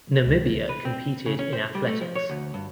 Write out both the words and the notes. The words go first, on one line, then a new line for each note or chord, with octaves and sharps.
Namibia competed in athletics.
C#2
B4
C4
C#3
C#4
C5
G3
A3
F3
C#5
D2
G2